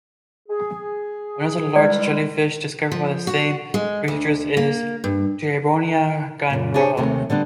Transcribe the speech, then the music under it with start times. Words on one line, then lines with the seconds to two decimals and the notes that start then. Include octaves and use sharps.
Another large jellyfish discovered by the same researchers is "Tiburonia granrojo".
0.49 G#4
1.76 E3 G3 G#3 D5
2.92 F3
3.27 F#4
3.74 G#3
4.08 D2
4.57 A#3
5.04 G2
6.50 F#2 A#2
6.74 D4 G4 G#4 C5 C#5
6.97 D#2 C3 D#3 A3
7.30 D3 G3 B3 D4